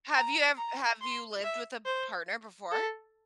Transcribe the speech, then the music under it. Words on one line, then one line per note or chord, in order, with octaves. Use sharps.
Have you ev have you lived with a partner before?
A#5
A#5
C6
E5
C5
A4